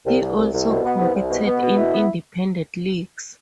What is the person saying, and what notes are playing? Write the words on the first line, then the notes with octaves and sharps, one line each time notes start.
He also competed in independent leagues.
C2
C2
C2
C2
B2
B3
C2
C2
B2
B3
B2
E4
B3